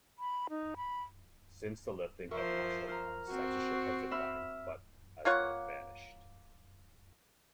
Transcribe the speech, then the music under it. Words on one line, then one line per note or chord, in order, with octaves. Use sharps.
Since the lifting of martial law, censorship has declined but has not vanished.
B5
D#4
B5
F3 A#4 C5 E5 C#6
A#5 F6
C4 F#4
E5 B5 F6
A#3 F4 C#5 F#5